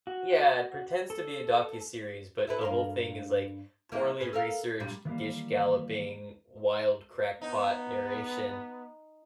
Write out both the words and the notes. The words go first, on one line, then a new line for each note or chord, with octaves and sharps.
yeah, it pretends to be a docuseries, but the whole thing is, like, poorly researched, gish galloping, wild crackpot narration.
F#4
A4
E4 A4 B4
G2 A#4 F5
C3 E3 A#3
C#4 G#4 B4
A4 A#4 F5
G2 A#2 G3
D#3 E3 G3 A#3
B3 D#4